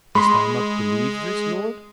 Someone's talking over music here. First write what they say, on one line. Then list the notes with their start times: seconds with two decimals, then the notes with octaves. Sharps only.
"Dost thou not believe this, lord?"
0.15 G#3 B5 C6